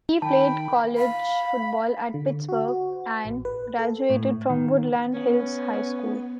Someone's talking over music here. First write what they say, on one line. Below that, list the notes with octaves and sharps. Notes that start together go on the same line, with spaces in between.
He played college football at Pittsburgh and graduated from Woodland Hills High School.
D#3 G5 A5 B5
F5 B5
D3
F#4
F#4
A1
B4
A4
A2
D#3
B3 C#4